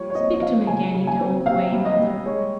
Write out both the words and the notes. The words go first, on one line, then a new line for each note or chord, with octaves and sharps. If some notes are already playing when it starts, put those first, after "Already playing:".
Speak to me again in the old way, mother.
Already playing: F3 G3 C#5
C#5
C4 D#5
D#5
F3 F5
C#3 G#5
C#3
G#5
C4
C3 F5
G3
D#5
G3
G#3 C#5